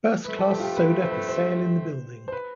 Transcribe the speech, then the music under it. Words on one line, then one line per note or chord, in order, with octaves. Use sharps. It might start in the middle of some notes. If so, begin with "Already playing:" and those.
First-Class Soda for sale in the Building.
G2 F3 A3 C4 B4
A4
G4
F4
G4
B4
C5
B4
C5
C5
B4